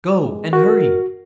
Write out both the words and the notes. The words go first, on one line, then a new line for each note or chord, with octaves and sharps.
Go, and hurry.
G#3
F#4 A#4